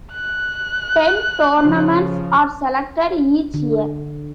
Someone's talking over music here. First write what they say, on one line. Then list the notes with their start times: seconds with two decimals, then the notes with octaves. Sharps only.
Ten tournaments are selected each year.
0.13 F#6
1.58 C#3 F3
3.54 D3